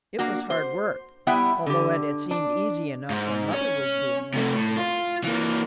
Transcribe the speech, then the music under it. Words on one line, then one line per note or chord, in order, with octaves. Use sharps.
It was hard work, although it had seemed easy enough when mother was doing it.
A#3 D4 F#4
C5
G3 B3 E4 E5 F#5 G5
D3 G4
D4
G#2
C#4
C3 A3
A2
F4
E3 A#3